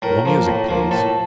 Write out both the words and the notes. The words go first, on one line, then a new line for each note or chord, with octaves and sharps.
Slow music, please.
A2 A#4
F3 A#3
A2
F3 A#3
A2 A4